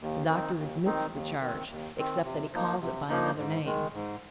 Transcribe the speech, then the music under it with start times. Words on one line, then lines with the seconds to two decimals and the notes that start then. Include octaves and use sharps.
The doctor admits the charge, except that he calls it by another name.
0.01 D#2
0.28 D#3 C4 D#4
0.56 D#2
0.85 D#3 C4 D#4
1.12 D#2
1.41 D#3 C4
1.69 D#2
1.96 D#3 C4
2.25 C3
2.53 F3 A#3 D#4
2.81 C3
3.08 F3 A#3 D#4
3.37 G#2
3.65 D#3 G#3
3.94 G#2